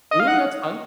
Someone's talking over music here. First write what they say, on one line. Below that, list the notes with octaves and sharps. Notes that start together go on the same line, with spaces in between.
Ooh, that's fun.
D#5
F5
F#5